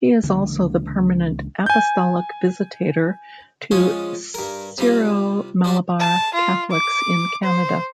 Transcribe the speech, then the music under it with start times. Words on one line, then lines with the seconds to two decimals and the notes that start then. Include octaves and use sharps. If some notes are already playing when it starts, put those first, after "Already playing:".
He is also the permanent Apostolic Visitator to Syro-Malabar Catholics in Canada.
0.23 C#2 D3 E3 A#3
1.66 G#5 G6
3.71 F3 G#3 C#4 F4
4.34 G2 A#4
4.78 C3 G3 F4
5.64 F3 G3 D4
6.00 A5
6.34 F4
6.71 D6
7.43 C5